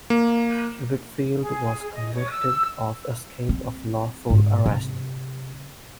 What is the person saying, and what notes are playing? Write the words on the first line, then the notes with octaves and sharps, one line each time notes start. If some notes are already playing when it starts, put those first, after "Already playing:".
Whitfield was convicted of escape of lawful arrest.
A#3
G#4
D#5
C#5
E6
C4
G#2
C3